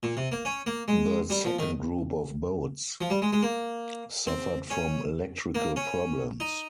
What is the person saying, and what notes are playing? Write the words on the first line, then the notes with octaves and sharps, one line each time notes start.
The second group of boats suffered from electrical problems.
A#2
C3
A#3
C#4
A#3
G#3
G3
F3
D#3
F3
G3
G#3
G#3
A#3
C4
C#4
A#3
C#4
D#4